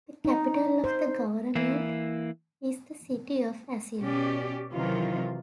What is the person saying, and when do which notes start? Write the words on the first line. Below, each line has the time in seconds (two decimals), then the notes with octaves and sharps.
The capital of the governorate is the city of Asyut.
0.25 D#4
0.84 C5
1.55 E3 A#3 E4
4.00 B2 C#4 G4 D5
4.73 C3 D#3 E3 F#3 F4 A#4